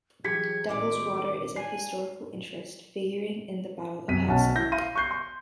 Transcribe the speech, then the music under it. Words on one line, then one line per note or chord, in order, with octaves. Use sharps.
Devil's Water is of historical interest, figuring in the Battle of Hexham.
E3 F#3 G4 G#4 G#6 B6 C#7
G#1 A2 G#3 D5 D6
D4 G#5 C7
F#2 C3 B6 D#7
B1 C#4 F#5 A5
E4 G6 A#6
E5 F5 B5 C6 A#6 D#7
C#6 F#6 G6 C7
C6